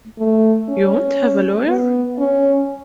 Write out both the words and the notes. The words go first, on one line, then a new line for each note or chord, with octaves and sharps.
You won't have a lawyer?
A3
C#4
B3
C#4